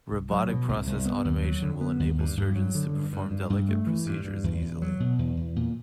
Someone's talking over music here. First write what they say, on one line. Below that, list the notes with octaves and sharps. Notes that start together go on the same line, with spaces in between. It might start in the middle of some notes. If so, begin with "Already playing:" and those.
Robotic process automation will enable surgeons to perform delicate procedures easily.
C2
F#3
B2
C2
C2
B3
D#2
F#3
D3
B3
D#2
G2
G2
F#3
D3
G2
G2
G2
G2
A3
E3
G2
G2
E2
E2
F#3
B2
E2
E2
A#2